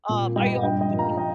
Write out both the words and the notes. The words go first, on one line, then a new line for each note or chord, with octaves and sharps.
Um, are you also doing
A#2
G3 D#5 G5
G2 D#5 G5
D#5 G5
F3
F5 A#5
D#5 G5